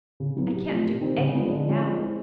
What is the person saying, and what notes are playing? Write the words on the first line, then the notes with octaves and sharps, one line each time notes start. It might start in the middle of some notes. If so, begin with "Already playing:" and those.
"I can't do--anything, now."
C#3
F#3 B3 E4
C3
F3 A3 D4 F4
C3
D#3 G3 C4
C#3
F3 G#3 B3 D4
D3
F3 G#3 C#4
F3
G#3 C4 E4